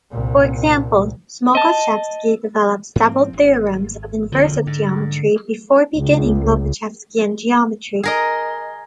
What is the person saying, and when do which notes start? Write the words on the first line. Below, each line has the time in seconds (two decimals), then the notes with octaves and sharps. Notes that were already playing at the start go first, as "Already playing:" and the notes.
For example, Smogorzhevsky develops several theorems of inversive geometry before beginning Lobachevskian geometry.
0.11 C2 A#2
1.55 D#5 A5
2.96 G#2 F3 C4
3.33 G#1
4.32 E1 D2 D3 F3
4.67 G#2
5.96 C#2
8.03 G#4 A#4 D#5